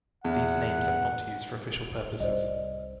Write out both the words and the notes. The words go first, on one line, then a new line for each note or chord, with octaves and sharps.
These names are not used for official purposes.
E2 F#5
C2 C5 D5 D#5